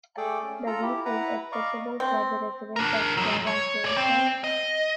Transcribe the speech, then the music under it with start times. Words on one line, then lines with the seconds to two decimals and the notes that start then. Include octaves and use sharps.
The beach is accessible for the residents of Covacasa.
0.17 A3 G#4 A4 D5 G5 D6
0.43 C#4
0.67 F4 A4 A#5
0.83 E4 G4
1.05 E4 B4 F#5 A#5
1.52 D5 D#5 F5 A#5 C#6
2.00 C4
2.76 D4 A#4
3.17 F#3 G#3
3.47 C#5
3.85 C#5 D5
3.97 C4
4.44 D#5